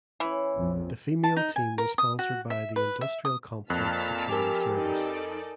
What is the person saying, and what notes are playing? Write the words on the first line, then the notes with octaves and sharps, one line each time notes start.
The female team was sponsored by the industrial complex security service.
E3 C#4 D6
A#1 F2
A5
D#4
G#5
A#4
D#6
F#4
E5
B4
E5
D#6
F2 A#2 A5 F6 F#6 B6
G4 A#4 G#5 D6
D#4 A4 D5